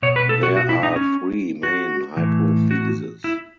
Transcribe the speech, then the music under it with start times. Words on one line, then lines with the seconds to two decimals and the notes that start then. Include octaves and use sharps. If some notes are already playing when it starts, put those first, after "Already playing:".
There are three main hypotheses.
0.02 B2 C#5
0.16 B4
0.29 A4
0.43 F#4
0.57 F#4
0.69 E4
0.83 D#4
0.96 C#4
1.63 F#4
2.17 A2 E3
2.71 F#4
3.24 E4